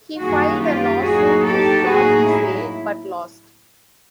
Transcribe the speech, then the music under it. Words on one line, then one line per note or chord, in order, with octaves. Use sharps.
He filed a lawsuit to stop the sale, but lost.
F#2 D#3 G3 A#3 F#4 G#4
F4 G4
A2 F#3 A#3 D#4 F#4 G#4
G4 A4
A2 F#3 A#3 D#4 F#4 G#4
E4